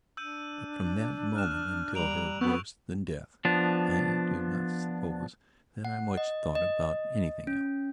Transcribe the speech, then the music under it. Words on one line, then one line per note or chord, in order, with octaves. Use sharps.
But, from that moment until her worse than death, I do not suppose that I much thought about anything else.
D4 E6 G6 D#7
F6 F#6 E7
G3 A#5 D7 F7 F#7
B3 C4 C#6 E6 G6
F3 B3 D4
F#5
D#5
D#5
C#4